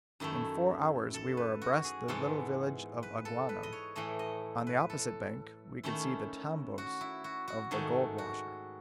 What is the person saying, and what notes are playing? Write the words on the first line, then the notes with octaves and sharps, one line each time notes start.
In four hours we were abreast the little village of Aguano; on the opposite bank we could see the tambos of the gold washers.
F#2 D#3 A3 E4
A4
B4
F#4
G#4
G#2 E3 G#3 B3 A4
B4
A4
B4
D#5
C#5
A2 E3 A3 D#5
D#5
B4
A4
D#3 A3 C#4 E4
F#4
E4
F#4
F#4
G#2 D#3 A3 G#4
F#4